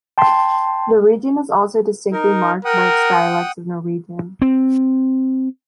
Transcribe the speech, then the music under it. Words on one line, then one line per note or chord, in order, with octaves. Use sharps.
The region is also distinctly marked by its dialects of Norwegian.
G5 A5 C6
D#4 A#4
A#4 F#5 G5 D#6
C4